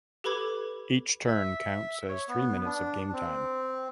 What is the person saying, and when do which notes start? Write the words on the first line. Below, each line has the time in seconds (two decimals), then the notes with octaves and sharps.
Each turn counts as three minutes of game time.
0.24 G4 A4 B4 B5 D6 G#6
1.27 E5
2.09 C#5
2.28 B3
2.66 D4
3.13 C4